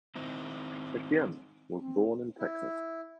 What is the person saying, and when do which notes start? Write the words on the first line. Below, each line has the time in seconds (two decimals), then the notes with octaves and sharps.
Etienne was born in Texas.
0.16 D#3 C4 D#4 E4
1.77 C4
2.39 E4